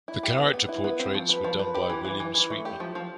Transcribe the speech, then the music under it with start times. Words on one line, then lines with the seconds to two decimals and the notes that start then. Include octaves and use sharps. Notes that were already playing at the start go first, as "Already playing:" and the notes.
The character portraits were done by William Sweetman.
0.08 E4
0.23 G4
0.38 B3
0.54 B3
0.69 E4
0.84 B3
0.99 C4
1.15 F3
1.29 B4
1.44 F3
1.60 B4
1.74 G4
1.90 E3
2.05 E3
2.20 E3
2.34 E3
2.50 A3
2.65 G4
2.80 F3
2.95 F3